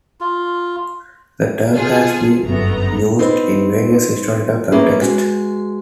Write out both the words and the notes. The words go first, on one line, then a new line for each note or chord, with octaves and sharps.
The term has been used in various historical contexts.
F4
F4 G#4 A4
G1 F#2 A3 B3 A#5
B3 C4 D#4
A#3 B3 C#4 E4 G#4
G#3 F#4